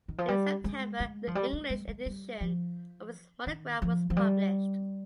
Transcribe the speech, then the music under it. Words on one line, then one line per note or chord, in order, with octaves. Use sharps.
In September the English edition of his monograph was published.
D#3
F3
G3
G#3
G#3
F3
G3
G#3
G#3
G#3
G3
F3
D#3
F3
F3
G3